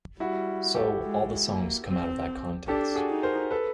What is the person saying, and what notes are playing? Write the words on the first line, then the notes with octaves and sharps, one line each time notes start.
So, all the songs come out of that context.
G3 E4 F#4
G4 A4
G#3
A#3
C4
D4 G4 A4
F#4 G#4
D#4
A#4 C5
A4 B4